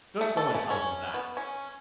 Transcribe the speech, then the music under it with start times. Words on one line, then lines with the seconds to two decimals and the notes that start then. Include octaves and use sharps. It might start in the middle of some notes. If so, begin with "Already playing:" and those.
Just go and tell him that.'
0.21 A3
0.37 A4
0.54 C#3
0.70 C#4
1.14 B3
1.37 C#4